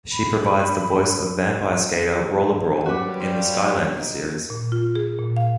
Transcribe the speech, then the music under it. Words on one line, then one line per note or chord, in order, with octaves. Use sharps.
She provides the voice of vampire skater Roller Brawl in the "Skylanders" series.
B5
F#3 G3 C#4 F#4 B4 C6 D6
C4 D5 F5
D#4 A#4
A#2
F4
G#4
A#2
F5